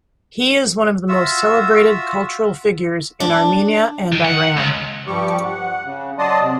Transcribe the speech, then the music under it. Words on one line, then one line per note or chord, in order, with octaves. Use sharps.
He is one of the most celebrated cultural figures in Armenia and Iran.
F4 F#4 E5 E6
D4
D#3
F#5
C#2
G2 F3 G3 G4 C#6 D6
F#5
C#3
F#3 D5 D#5 A5 C6 D#6
C3